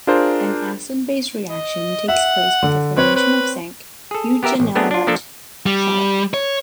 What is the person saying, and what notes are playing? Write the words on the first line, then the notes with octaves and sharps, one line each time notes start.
An acid-base reaction takes place with the formation of zinc eugenolate chelate.
D4 F4 G#4 A#4 C5
D#5
E5 F#5
D3
C4 B4 C#5
B4
G#4 A4
B3 G4 A#4 E5
A1
A3 B3 C4 D4 G#4
D4 F4
F3 A#3 D4 A4
G3
C#5